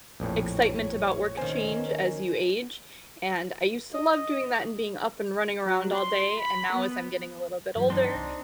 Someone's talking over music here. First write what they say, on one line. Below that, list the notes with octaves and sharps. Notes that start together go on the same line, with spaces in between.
excitement about work change as you age? And I used to love doing that and being up and running around all day, and now as I'm getting a little bit older,
A#1 F2 A2 C#5
D#2 D#3 C#4 C5 G#5
D#5
F#3
C6
B5
B3
G2 E3 F#3
C4 D4 D#4
C2 D5 C6